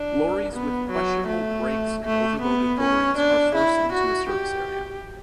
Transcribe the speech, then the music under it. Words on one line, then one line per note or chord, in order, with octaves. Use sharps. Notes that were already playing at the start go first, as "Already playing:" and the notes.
Lorries with questionable brakes and overloaded lorries are forced into a service area.
Already playing: D4
B3
F#3
A3
A3
B3
C#4
D4
E4
F#4
G4